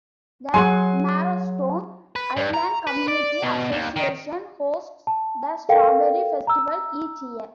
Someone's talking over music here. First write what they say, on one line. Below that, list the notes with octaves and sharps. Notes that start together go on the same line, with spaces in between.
The Marrowstone Island Community Association hosts the Strawberry Festival each year.
F#3 G#4 F#5 G#5 C6
B4
G2
A#5
B4
D5
B2
D#2
D#3
A5
A4 A#4 F5 G5
A#5 E6